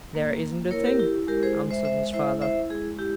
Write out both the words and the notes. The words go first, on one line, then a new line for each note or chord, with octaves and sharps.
"There isn't a thing," answered his father.
A#3
A#3
E4 A#4 C#5
G4 A#4
E4 G4
G#3 G4 A#4
G#4 C5
G#3
C5 E5
G#3 C5 E5
E4 C5 E5
E4 C5 E5
G#3 G#4
E4 G4